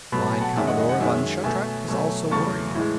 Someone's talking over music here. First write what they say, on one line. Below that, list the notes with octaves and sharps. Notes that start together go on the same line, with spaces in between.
Line-Commodore Vann Shatrak was also worried.
B2 F#3 A3 B5
A5
G#5
F#5 A5
F#2 D#3 G#3 E5 G#5
D#5 F#5
D#5 F#5
D#5 F#5
F#2 D#3 G#3 E5 G#5
B2 A3 E5 G#5
B2 F#3 A3
E2 C#3 F#3 A3 A5 C#6
A2 E3 G#3